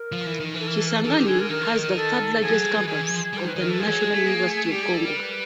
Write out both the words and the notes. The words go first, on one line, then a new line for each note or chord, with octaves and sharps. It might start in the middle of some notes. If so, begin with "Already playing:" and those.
Kisangani has the third largest campus of the National University of Congo.
Already playing: A#4
F3
E3
D#3
E3 A4
A#4
A4
A#4
A4
D#3 A4
G4
D3 G#4
A#4
D#3 A#4
E3
D#3
A4
F3 G#4
F#3
G3
E3
D#3 G#4
E3
F3
G3 C5
D#3
B4
D#3 A#4
E3 A4
F3 G#4
F#3
G#3
A3
A#3
A3
G3 G4
G#4
A4
A#4
B4